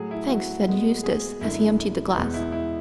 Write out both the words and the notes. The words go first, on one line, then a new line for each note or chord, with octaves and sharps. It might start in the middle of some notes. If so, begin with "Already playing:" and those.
"Thanks," said Eustace, as he emptied the glass.
Already playing: A2 F#3 A3 G#4
E4
F#4
A2 G#3 B3
G#4
F#2 D3 G#3 E4
E2 B2 G#3 B3
E4
E4